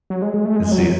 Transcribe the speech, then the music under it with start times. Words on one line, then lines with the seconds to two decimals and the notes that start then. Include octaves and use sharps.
I'll see ya.
0.10 F#3
0.22 G#3
0.34 G#3
0.45 A3
0.56 G#3
0.72 F#3